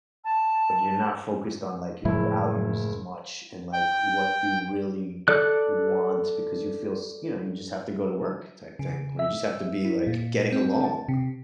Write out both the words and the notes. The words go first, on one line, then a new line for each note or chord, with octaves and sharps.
but you're not focused on like your values as much and like what you really want because you feel, s you know, you just have to go to work type thing. Or you just have to be like getting along.
A5
F#1 A2 F3 G#3 E4
G5
A4 D5 F#6
C#3
E5
E4
A#2
C4
A5
C3